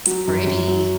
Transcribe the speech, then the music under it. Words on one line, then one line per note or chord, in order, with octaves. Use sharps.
It's pretty.
F#3
F#2
F#2
F#3